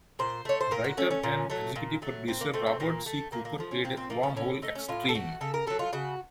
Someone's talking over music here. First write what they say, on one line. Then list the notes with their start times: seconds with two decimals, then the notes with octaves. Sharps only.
Writer and executive producer Robert C. Cooper played a Wormhole X-Treme!
0.19 A#2 C5
0.45 A3 C#5
0.61 C5
0.71 A#2 A#4
0.84 F#4
0.97 A3 C#4
1.11 C#4
1.23 A#2
1.50 F#3 A3
1.76 A#2
2.02 F#3 A3
2.28 A#2 C4
2.41 A#3
2.54 A3 C4
2.67 C4
2.80 A#2 A#3
3.06 A3
3.32 A#2 A#3
3.45 A#3
3.58 F3 A3
3.71 C#4
3.84 A#2 C4
3.97 C4
4.10 F3 A3 A#3
4.23 C#4
4.36 A2 C#4
4.62 A3 D#4
4.75 C#4
4.88 A2 F4
5.09 A4
5.14 A3 F#4
5.41 C#3 A4
5.54 A#4
5.67 F#3 A3 A4
5.79 F4
5.93 C#3 F#4